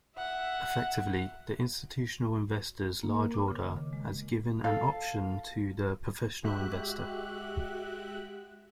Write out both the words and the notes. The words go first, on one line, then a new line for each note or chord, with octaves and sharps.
Effectively, the institutional investor's large order has given an option to the professional investor.
E5 F#5
A#3
A#4
D6
C#3
D#3
C#3
G#3
A4 F5
G#3 F#4 G4 E5 F#6